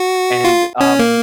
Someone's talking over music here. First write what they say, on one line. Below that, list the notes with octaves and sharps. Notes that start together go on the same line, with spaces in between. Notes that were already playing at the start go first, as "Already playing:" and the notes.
and, um,
Already playing: F#4
F4
C#4
A#3